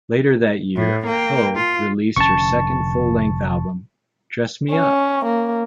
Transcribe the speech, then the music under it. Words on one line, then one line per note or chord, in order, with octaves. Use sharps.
Later that year, Ho released her second full-length album Dress Me Up!
A2
A#3 G5
F4
F1 D3 C#4 A5 C#6
C#4
A#3